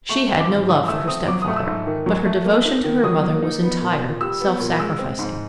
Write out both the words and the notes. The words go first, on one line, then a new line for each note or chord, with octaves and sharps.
She had no love for her stepfather, but her devotion to her mother was entire, self-sacrificing.
A3 C#6
C4
D6
G#2
E3 D#6
A3 E6
C4 D#6
F#3 D6
D#6
A3
E6
G#2
D#3
F#3
A3
A#3
D#4
D#3
F#3 D#6
A#3
D#4
B3
A#2
A#2
G3 E6
B3
A#2
G#3 E6
C4
G#2